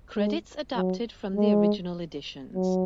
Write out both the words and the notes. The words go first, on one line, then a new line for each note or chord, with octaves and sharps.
Credits adapted from the original editions.
G#3
F#3
G#3
F#3